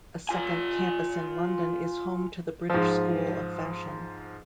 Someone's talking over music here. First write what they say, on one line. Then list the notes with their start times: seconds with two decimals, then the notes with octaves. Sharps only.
A second campus in London is home to the British School of Fashion.
0.29 F4 G#5
2.70 G#2 F3